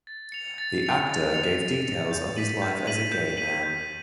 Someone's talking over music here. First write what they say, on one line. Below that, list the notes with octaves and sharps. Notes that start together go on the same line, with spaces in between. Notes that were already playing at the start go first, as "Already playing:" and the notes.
The actor gave details of his life as a gay man.
A6
C#7 F7
A6
C#7 F7
A6
C#7 F7
A6
C#7 F7
G6
B6 D#7 F#7
G6
B6 D#7 F#7
G6
B6 D#7 F#7
G6